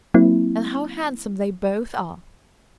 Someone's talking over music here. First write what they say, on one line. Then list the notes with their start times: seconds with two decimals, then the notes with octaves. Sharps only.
"And how handsome they both are!"
0.14 F#3 A#3 C4 E4